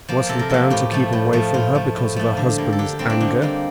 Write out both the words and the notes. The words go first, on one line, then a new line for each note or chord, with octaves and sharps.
Was he bound to keep away from her because of her husband's anger?
F3 A#3
C3 A4
A#4
F3 A#3 A4
A2 G4
F3 A3
A2
F3 A3
A2 F4
F3 A3
A2
F3 A3
D3
G3 A#3
A4
D3 G4
G3 A#3 C4
D4
D3 D#4
G3 A#3